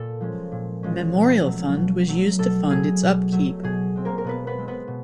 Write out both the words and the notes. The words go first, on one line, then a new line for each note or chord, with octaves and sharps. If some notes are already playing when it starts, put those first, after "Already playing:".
Memorial Fund was used to fund its upkeep.
Already playing: A#2 A4
F3 G#3 C#4
A#2
F3 G#3 C#4
B2
F#3 A3
B2
F#3 A3
B2 A4
F#3 A3 G#4
B2
F#3 A3
B2 G#4
G#3 C4
A#3 A#4
A#4
B2 B3 B4
B3 B4
G#3 C4
B3 B4
B2